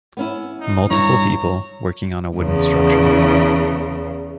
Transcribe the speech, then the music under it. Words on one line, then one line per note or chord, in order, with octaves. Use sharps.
Multiple people working on a wooden structure.
B3 C#4 E4
D#4
G2 G3 E4 C#5 A#5
E2 C#3